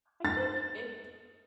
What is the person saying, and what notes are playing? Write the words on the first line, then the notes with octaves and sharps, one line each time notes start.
I think it
A6